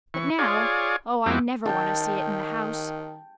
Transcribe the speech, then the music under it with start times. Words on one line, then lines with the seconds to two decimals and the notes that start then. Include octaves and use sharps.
But now-- Oh, I never want to see it in the house!
0.14 E3 C#6
0.39 F4 G#4 C#5 D5
1.26 F2 G#3 C4 E4 F#4 D6
1.65 D#3 G5 A5